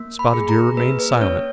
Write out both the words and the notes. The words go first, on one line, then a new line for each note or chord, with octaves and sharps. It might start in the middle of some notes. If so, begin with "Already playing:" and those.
Spotted Deer remained silent.
Already playing: A#3
B5
G#4
A#5
A#3 B4
B4
C#4 C#5